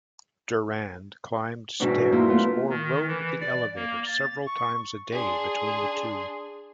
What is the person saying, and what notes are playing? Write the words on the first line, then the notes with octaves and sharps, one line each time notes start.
Durand climbed stairs or rode the elevator several times a day between the two.
G#2 B2 E3 B3 D4
A#3 E4 F4
A3 B3 F4
D#3
E3
D5
A#3
A6
C#6
D4 G#4 C6